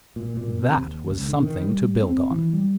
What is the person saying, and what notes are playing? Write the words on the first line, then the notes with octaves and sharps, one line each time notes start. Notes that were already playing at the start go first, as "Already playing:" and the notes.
That was something to build on.
A#2
A#2
C3
D#2
C#2
D3
D#3
G3
C4
E3
G3